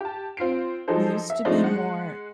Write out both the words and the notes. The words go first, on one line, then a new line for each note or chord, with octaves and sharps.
We used to be more
G4 A5
C4 F4 C7 D7
F3 F#3 D#4 G#4 A4 C5
E5
F3 G#3 A3 C4 D4 D#4
G#3 F#5